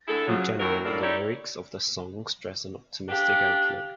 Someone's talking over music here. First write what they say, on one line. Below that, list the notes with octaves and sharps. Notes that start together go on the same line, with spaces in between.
In general the lyrics of the song stress an optimistic outlook.
D3 E4 G#4 A4
C#3 F3 F#3
D#2 E3 F#3 C4 A#4
A2 A#3 D4
D#4 E4 G4 A4 C#5 D5
D4 G4 F5